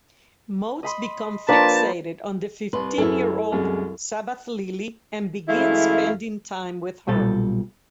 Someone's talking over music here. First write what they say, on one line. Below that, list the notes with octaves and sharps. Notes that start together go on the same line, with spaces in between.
Motes becomes fixated on the fifteen-year-old Sabbath Lily and begins spending time with her.
D#5 B5 C6
F3 A#3 D4 A#4 B4 D5 G5 A5
C2 B4 C6
F#2 E4 G#4 A4
C2 F#2 G#3
F#2 E3 G#3 A3 E4 F5
B1 A#2 G3 A4